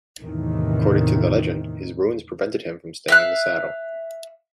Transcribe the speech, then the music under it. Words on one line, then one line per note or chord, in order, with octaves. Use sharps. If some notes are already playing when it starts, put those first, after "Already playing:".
According to the legend, his wounds prevented him from staying in the saddle.
E2 A2 C3 D#3 E3
E5 F5 F#6